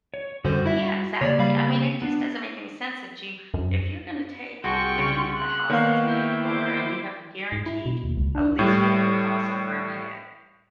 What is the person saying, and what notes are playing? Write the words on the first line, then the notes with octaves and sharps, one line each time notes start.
Yeah, exactly. I mean it just doesn't make any sense that you if you're gonna to take if you have a house that's paid for and you have guaranteed at least we have a r house over our heads,
C#5
F#2 D3 G3 F#4 C5
E4 E5
C#3 A#3 G4 C#5 D5
G3 F5 B5
B3 D4
F#2
C2 F#4 G#4 G5 C6 C#6
C#3
F#6
D#3 A#3 B3 C#5 F5
E4 G5
C5 D6
G#2
E4
B2
D#2
C#2
D4
A2 G3